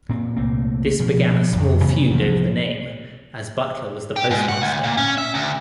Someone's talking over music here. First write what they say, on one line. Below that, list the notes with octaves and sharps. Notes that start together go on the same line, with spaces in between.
This began a small feud over the name, as Butler was the postmaster.
A#2 C4
C2 A3 A#3 C4
B2 F3
A1 F2
C3 E3 F#3 B3
C2 E3 F3
G4
G#2
F#5
D2
A#2
C#4
E5
D2